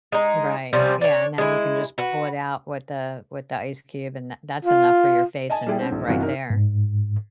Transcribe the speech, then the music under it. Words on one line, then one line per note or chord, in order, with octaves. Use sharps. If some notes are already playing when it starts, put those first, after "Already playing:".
Right, yeah, and then you can just pull it out with the with the ice cube and that that's enough for your face and neck right there.
G#3 D#4
C3 F3 G3 C#4
D4 C#5
G#3 E4
F#4 B4
F4
D#5 G#5 A5
G3 E4 G#4 D5 G5
C4 C#4
D#1 A#1
G1 C3 E3 F#4 F5
D#4 A#4
G#2